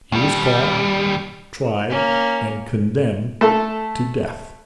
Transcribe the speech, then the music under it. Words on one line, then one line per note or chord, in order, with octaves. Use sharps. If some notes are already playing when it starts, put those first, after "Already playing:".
He was caught, tried, and condemned to death.
D#2 G3
A#3 C#4
A3 A4